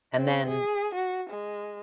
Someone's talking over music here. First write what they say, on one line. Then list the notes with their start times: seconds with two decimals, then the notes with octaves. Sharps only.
And then
0.17 C4
0.49 G#4
0.95 F#4
1.30 G#3